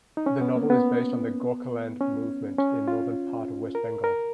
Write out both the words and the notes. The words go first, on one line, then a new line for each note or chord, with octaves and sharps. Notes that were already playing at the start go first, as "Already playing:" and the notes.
The novel is based on the Gorkhaland movement in northern part of West Bengal.
D#4
C#4
B3
A#3
B3
C#4
C#4
F4
A#4
A#4